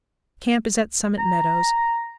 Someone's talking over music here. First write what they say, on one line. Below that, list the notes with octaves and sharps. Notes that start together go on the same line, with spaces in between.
Camp is at Summit Meadows.
A#5